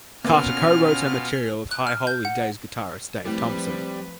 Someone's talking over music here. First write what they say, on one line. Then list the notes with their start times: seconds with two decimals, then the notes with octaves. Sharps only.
Carter co-wrote her material with High Holy Days guitarist Dave Thompson.
0.25 B2 A#3 B3 C#4 F4 G#5 F6
1.71 F#6
1.87 F6
2.07 G6
2.25 F#5
3.26 F3 G3 A3 C4 E4 B4